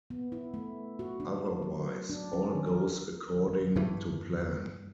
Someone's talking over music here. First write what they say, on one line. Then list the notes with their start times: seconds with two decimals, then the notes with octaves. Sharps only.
Otherwise, all goes according to plan.
0.10 B3
0.32 E4
0.54 A3
0.99 F#4
1.20 D4
1.62 F#3
2.10 D4
2.33 C#4
2.55 D#3
2.67 A#4
3.76 G2 E3